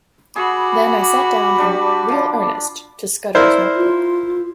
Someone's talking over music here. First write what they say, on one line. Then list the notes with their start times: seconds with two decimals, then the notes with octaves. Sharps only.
Then I sat down in real earnest to Scudder’s note-book.
0.36 F#4 G#4 B5 D6
1.58 G3 D4
2.09 F3 D4
3.35 E4 A#4 C5 D5
3.76 F4